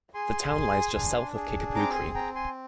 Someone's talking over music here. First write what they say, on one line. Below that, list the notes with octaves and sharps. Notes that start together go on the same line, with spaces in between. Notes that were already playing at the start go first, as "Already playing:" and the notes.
The town lies just south of Kickapoo Creek.
G#4 G#5 C6
G#4
D4
G#4
C4 A#5 D6
G#5 C6
C4 G5 A#5
G#5 C6